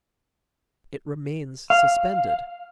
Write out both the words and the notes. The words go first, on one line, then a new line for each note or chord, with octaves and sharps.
It remains suspended.
F5